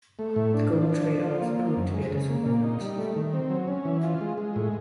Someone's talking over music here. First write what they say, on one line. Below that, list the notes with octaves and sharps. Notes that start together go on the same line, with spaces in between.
The gold trade also proved to be a disappointment.
A3
A2
D4
F3
D4
F3
F4
A#3
F3
F#2
G#3
C#3
A#3
A#2
D#4
G3
A3
D#3
C4
F#3
C#4
E3
F4
G#3
G#3
A2